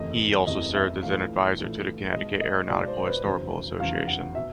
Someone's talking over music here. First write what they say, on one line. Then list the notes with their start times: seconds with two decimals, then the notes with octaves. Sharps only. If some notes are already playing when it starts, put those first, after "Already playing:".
He also served as an advisor to the Connecticut Aeronautical Historical Association.
Already playing: F#1 E2 C3 E3 A3 D#5
0.47 F#1 E2 C3 E3 A3 D#5
0.75 E5
1.02 A#1 A2 E3 A3 F5
1.58 A#1 A2 E3 A3
2.13 B1 B2 G#3 D#5
2.41 D#5
2.69 B1 B2 G#3 D5
2.88 C5
2.98 C5
3.06 B4
3.24 F1 E2 C#3 F#3 C5
3.80 F1 E2 C#3 F#3 F5
4.07 F#5
4.35 B2 E5